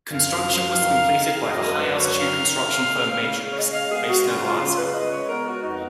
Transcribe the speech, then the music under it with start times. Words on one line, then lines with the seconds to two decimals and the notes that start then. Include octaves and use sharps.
Construction was completed by the high-altitude construction firm Matrix, based in Alaska.
0.12 F#2 F5
0.46 F#2
0.80 D#3
1.15 G#3
1.49 F#2 D#5
1.63 A#4
1.73 B4
1.83 F#2
1.95 C#5
2.18 D#3 F5
2.53 G#3
2.88 C#3
3.21 C#3
3.51 C#5
3.56 G#3 D#5
3.73 F5
3.91 B3 G#4
4.08 F#4
4.25 C#3 F4
4.43 F4
4.60 C#3 F4
4.77 B4
4.94 G#3 D#5
5.11 C#5
5.29 B3 A#4
5.46 F#4
5.63 F2 D#4